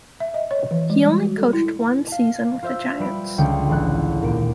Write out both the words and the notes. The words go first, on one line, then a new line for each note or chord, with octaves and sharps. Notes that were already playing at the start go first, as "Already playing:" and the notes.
He only coached one season with the Giants.
E5
D#5
C#5
E3
G#3
G3
F#4
A4
E4
F5 A5
F4 C5 E5 E6
G3 B4 D7
C#2 D3 G5
A1 A4 F#6
D#2 A#2 D7